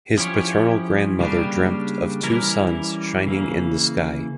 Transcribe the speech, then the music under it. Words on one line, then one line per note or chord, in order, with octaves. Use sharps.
His paternal grandmother dreamt of two suns shining in the sky.
F3 C#4 E4 G4 C#5
C#3 G3 A#3 D4 G4
E3 G3 C#4 E4 A#4
C#3 E3 A#3